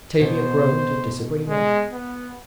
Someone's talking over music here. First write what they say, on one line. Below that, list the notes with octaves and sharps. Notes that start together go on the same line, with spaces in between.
Tavia groaned in disagreement.
B2 C5
G#3
B3